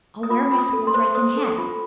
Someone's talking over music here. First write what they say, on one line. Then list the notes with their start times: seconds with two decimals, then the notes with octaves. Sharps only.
I'll wear my school dress and hat.
0.23 D#6
0.30 F4 D6
0.52 F4
0.59 D#6
0.73 A4
0.87 C6
0.94 C5
1.15 C5 D#6
1.37 A4
1.58 F4